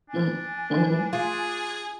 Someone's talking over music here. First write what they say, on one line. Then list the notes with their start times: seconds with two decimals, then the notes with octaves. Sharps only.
Mm Mhm.
0.09 D4 G#5
1.13 F4 G#4